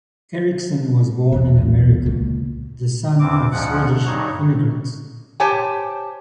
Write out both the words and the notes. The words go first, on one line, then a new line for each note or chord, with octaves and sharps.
Erickson was born in America, the son of Swedish immigrants.
B1 E2 B2
C#2 A#2
E2 C4 D6
D2 G#2 F3 F#5
G2 F#3 D#4 C#5 C#6
G4 C5 C#5 G#5 A5